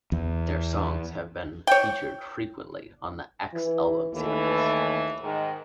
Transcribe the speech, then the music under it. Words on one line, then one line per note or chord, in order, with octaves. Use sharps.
Their songs have been featured frequently on X the album series.
E2
C#5 G5
E3
D#2 E3 A3
G#2 D#3